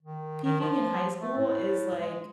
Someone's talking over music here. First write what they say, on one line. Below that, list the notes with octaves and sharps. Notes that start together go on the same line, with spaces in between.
peaking in high school is, like
D#3
D#3
F3
A3
A2
G#3